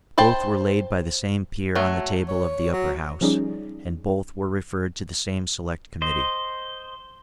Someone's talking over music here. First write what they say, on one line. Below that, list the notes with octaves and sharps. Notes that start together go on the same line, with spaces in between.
Both were laid by the same peer on the table of the Upper House; and both were referred to the same select committee.
C5 G5 A5 B5
F#3 A3
C#5
F#3
F3 G3 C#4 D#4 G#4 D5
C5 D#5